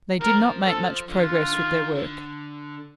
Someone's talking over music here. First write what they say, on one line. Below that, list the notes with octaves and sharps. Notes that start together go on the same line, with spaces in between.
They did not make much progress with their work.
F3 A#4
A4
D3 F4
D#3
D3